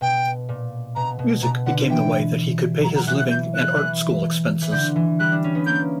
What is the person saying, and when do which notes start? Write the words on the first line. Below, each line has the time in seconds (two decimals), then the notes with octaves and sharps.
Music became the way that he could pay his living and art school expenses.
0.01 B2 G5
0.49 A#2
0.95 B2 A#5
1.19 B2
1.43 B2 A#5
1.66 D3 F#5
1.90 E3 G5
2.84 F#3 A#5
2.96 A#5
3.07 E3 F#6
3.19 F#6
3.30 G6
3.55 F#6
3.78 E3
4.62 E3
4.72 D3 G6
4.96 E3
5.20 G3 F#6
5.32 D4
5.44 C#4
5.55 B3
5.66 A#3 G6